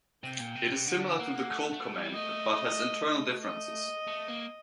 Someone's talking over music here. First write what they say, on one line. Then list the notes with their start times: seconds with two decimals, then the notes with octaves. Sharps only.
It is similar to the Colt Commander, but has internal differences.
0.23 C3 G5
0.40 A#2
0.55 C3
0.72 C3
0.88 D3 F#5
1.19 A#3
1.51 A3
1.73 A3
1.94 G3
2.15 A3 D#5
3.44 D#5
4.07 A3
4.28 A#3